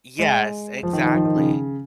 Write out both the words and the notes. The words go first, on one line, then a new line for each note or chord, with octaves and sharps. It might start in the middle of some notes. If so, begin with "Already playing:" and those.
Yes. Exactly.
G#3
F3
D#3
D#3
F3
D#3
C#3